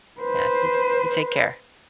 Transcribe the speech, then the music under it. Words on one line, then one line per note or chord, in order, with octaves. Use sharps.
Yeah. You you take care.
B4 C5